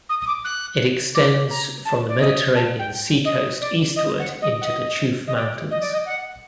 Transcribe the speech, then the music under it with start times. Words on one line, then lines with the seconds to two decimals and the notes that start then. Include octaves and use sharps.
It extends from the Mediterranean Sea coast eastward into the Chouf mountains.
0.09 D#6
0.21 D#6
0.27 D6
0.45 F#6
1.15 D6
1.51 A#5
1.85 A5
2.09 D5
2.20 D#5
2.55 A5
2.79 G5
3.25 D#5
3.61 D5
3.96 D#5
4.19 F#5
4.42 D#5
4.61 F#5
4.66 D#5
5.27 D#5
5.36 D5
5.71 D#5
5.81 D5
5.93 D#5
6.06 F#5